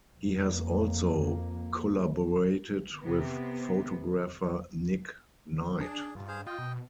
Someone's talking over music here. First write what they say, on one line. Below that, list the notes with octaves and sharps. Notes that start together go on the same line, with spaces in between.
He has also collaborated with photographer Nick Knight.
F2 A#3
C3 B3
D4 G#4
G2 F4
G#4 C5 F5
F4 D#5 G5
B2